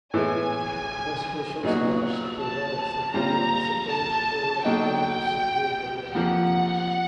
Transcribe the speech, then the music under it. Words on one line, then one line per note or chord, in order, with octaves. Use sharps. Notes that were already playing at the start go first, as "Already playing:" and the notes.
Institutions must provide acceptable collateral to secure the loan.
A2 E3 G#3 B3 G#5
A#2 F#3 B3 D#4 F#4
A5
A#2 G3 C4 F4 A#5
A5
B2 F#3 A#3 D#4 G5
F2 C3 F3 A#3 F#5